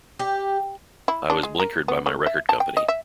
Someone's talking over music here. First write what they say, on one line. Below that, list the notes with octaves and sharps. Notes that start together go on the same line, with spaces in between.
I was blinkered by my record company.
G4
E4
D4
G#3
A#4
B3
A3
E5
A5
G5
D#5
E5